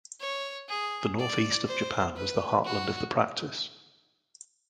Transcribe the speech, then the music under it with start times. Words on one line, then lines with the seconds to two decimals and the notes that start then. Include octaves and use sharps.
The north east of Japan was the heartland of the practice.
0.20 C#5
0.69 G#4
1.18 D5
1.67 C5
2.16 B4
2.65 F#4